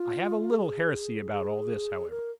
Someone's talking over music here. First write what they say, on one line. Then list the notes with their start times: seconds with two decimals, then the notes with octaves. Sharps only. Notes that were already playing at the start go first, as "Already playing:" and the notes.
I have a little heresy about all this, however.
Already playing: F4
0.51 G#4
1.32 G#4
2.10 A#4